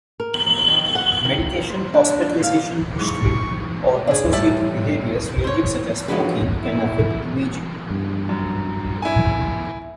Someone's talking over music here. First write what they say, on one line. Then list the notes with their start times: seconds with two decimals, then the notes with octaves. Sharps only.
Medication, hospitalization history, or associated behaviors ranging such as smoking can affect imaging.
0.20 A#4
0.68 D#3
0.95 F#5
1.25 D#3
1.70 C5
1.94 D4
2.43 F5
2.99 G#2 F#3 E4 C#6
4.07 D4 G#4
4.33 A2 G3 D5 E5 A5
5.44 C5 C#5
6.08 F3 F#3 G#3 D4 F#4 B4
6.63 E4
7.90 G2
8.29 F#2
9.02 E4 G#5